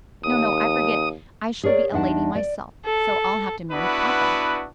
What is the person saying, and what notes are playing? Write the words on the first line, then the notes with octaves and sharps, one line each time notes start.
"No, no, I forget, I shall be a lady myself: so I'll have to marry papa."
D#2 D#6
G#4 A#4 C#5 D5
E2 D4 D#4 F#5 A5
D5
A4
B3 D4 E4 F#4 B4